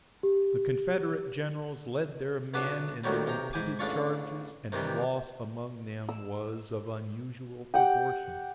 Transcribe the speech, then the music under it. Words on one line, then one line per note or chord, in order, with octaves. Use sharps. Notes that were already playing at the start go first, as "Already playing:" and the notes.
The Confederate generals led their men in the repeated charges, and the loss among them was of unusual proportions.
G4
B1 B3 D4 D5
D2 A2 D#3 F#3 G3
B1 C3 G5 A#5
G#2 E4 G5 G#5 D6
A1 C#3 D4 F4 D5 C#6
C3 D#3 E3 G3
E6
G4 F#5 G5